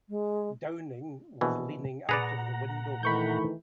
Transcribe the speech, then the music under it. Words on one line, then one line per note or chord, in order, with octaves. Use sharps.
Downing was leaning out of the window.
G#3
A#1 B2 E3
A#2 G#4 B4 D5 F#5 A#5 A#6
D#3 E3 A3 B5 C#6 G6